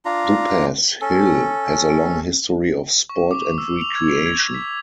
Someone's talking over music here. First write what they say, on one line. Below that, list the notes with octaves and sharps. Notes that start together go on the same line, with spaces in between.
Duppas Hill has a long history of sport and recreation.
D4 F4 A#5
C#4 A4
C#6
D6
E6
F7
G#6
G#6
B6